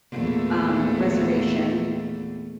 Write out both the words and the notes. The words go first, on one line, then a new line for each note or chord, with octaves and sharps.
um, reservation,
E2 A#2 A3